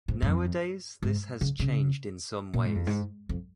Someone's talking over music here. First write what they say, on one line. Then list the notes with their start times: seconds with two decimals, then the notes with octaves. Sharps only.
Nowadays this has changed in some ways.
0.08 G#2
0.22 G#2
0.27 F2
1.03 G#2
1.41 C#3
1.60 C#3
2.54 A#2
2.65 G#2
2.75 F2
2.87 G#2
3.29 F2